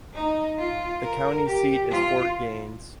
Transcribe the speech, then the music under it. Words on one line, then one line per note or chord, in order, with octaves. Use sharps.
The county seat is Fort Gaines.
D#4
F4
A#4
G4
F4